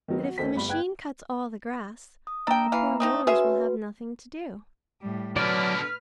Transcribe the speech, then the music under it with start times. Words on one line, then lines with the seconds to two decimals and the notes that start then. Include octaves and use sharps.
But if the machine cuts all the grass, the poor mowers will have nothing to do.
0.08 D#3 F#3 B3
0.24 F#4
0.38 D2 D#3 A4 C5 B6
0.55 G1 G2 G3 B5
0.68 G1 B4 G5 F#6 G#6
2.27 D#6
2.47 A#3 D4 G5 A#5 E6
2.72 E3 F5
3.00 A3 C4 D#4 D#6
3.27 C#4 F#4 G#4 B4 E5
5.01 A2 G3
5.36 B2 D3 F#3 B4 D5 F6